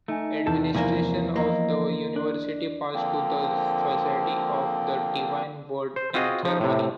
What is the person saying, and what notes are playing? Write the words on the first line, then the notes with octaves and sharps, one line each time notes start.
Administration of the university passed to the Society of the Divine Word in Germany.
A3 D#4 G#5
E2 C3 A4 B4 A5 G6
C2 F3 A#3 G#5
A#3 D#5 B5 E6
D4
D3 F3 A#3 C4
C5
C4 F4 F#4 G#4 D#5
F3 D#4
A2 C3